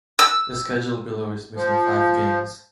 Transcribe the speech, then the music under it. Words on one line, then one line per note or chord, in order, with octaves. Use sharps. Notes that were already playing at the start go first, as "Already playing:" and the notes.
The schedule below is missing five games.
E6
F3